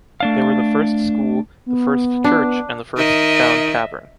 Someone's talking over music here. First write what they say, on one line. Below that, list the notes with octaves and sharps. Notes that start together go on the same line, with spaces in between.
There were the first school, the first church and the first town tavern.
A3 D4 F5
B3
D4
D#3 D#5 E5